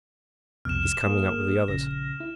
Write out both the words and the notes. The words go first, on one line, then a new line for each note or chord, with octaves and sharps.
He is coming up with the others.
C2 F2 B2 F6 E7
A#3 G#4 D#6
A#1 C#3 A#6
E4